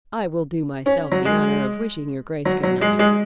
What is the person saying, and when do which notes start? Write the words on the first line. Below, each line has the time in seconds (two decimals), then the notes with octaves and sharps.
I will do myself the honour of wishing your Grace good-night.
0.86 C#4
1.12 F#3
1.25 G#3
2.45 F#3
2.63 F#3
2.81 G#3
2.99 G#3